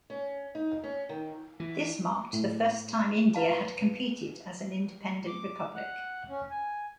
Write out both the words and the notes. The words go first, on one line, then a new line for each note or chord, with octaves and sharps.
This marked the first time India had competed as an independent republic.
C#4
D#4
C#4
D#3
E3
A2
E4 B4 F5 A5
D6
F#5
C#4
G#5